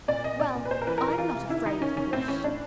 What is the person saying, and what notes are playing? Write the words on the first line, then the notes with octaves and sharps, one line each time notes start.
"Well, I'm not afraid of the Bush."
A#2 D5
A#2 D#5
A#2 D5
A#2
B4
A#2 C5
A#4
E3 B4
A#4
E3
A#4
E3 F4
C3
D#3 E4
D#3 D#4
D#3 C#4
D#3 C#4
A2 C4
E3 C#4
A2 D4